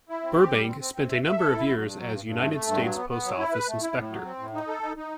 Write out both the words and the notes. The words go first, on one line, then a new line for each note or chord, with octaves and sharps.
Burbank spent a number of years as United States post office inspector.
E4
C4
G4
G3
C4
C4
C4
E5
E5
A4
E4
F#3
G2
F#3
G2
G2
A3
A3
G2
F#3
B3
B3
F#3
E4
B4
A3
E4
A2
F#3
C4
A2
D#4
A4
D#4
D#4